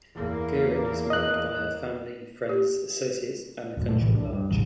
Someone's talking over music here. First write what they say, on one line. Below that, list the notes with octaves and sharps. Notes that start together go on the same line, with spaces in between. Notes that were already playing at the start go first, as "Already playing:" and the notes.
Guerin is mourned by her family, friends, associates and the country at large.
E2 A#3
D#5 F#6
G4
D1 F#2
A#2 A3
A#1 A2 C3 E3
C2 G2 D4
G2
D#1 A1 D#2 C#3